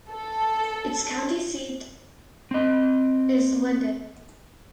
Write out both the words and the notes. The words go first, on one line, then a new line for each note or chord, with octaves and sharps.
Its county seat is Linden.
A4
C4 D#5